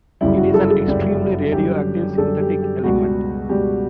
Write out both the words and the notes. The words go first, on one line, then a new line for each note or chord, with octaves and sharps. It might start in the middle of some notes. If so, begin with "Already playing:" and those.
It is an extremely radioactive synthetic element.
G1 F#2 C#3 G3 E4
F#4
A4
A4
G1 F#2 C#3 G3
F#2 D3 G3 G4
F#2 D3 G3 A4
G4
G4
C#2 B2 G3 F#4
C#2 B2 G3 G4